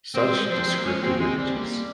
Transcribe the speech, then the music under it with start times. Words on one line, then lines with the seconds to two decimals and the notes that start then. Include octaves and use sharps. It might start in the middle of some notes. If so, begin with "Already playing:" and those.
Such descriptive images.
0.15 A#3 C4
0.22 G#3
0.31 G3
0.40 G#3
0.50 F3 C4
0.78 A#3
0.85 G#3 C#4
1.02 A#3 C4
1.20 G#3 C4
1.38 G3 C4
1.55 A#3